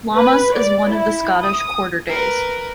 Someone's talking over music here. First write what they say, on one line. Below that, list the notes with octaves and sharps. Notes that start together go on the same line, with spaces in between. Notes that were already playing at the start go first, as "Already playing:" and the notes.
Lammas is one of the Scottish quarter days.
B4
D5
E4
D#6
A#4 B4